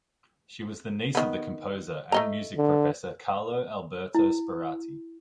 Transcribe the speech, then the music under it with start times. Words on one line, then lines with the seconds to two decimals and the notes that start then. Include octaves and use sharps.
She was the niece of the composer and music professor Carlo Alberto Sperati.
1.15 D#3 B3
2.12 A3 D#5 A#5
2.58 D3
4.15 E4